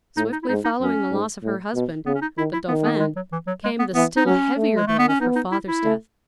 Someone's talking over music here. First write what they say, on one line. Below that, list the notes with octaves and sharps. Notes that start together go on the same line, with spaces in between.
Swiftly following the loss of her husband, the Dauphin, came the still heavier blow of her father's death.
A2 D#4
D#4
E4
G#2 D#4
D#4
F#2 C#4
G#2
A2
B2
C#3 B3
C#4
D#4
D#3 E4
E4
D#3 B3
B3
G#3
F#3
E3
F#3
G#3
B3
E3 B3
D#4
F#3 C#4
A3
G#3
A3
B3
C#4
B3 D#4
D#4
E4
E4
A3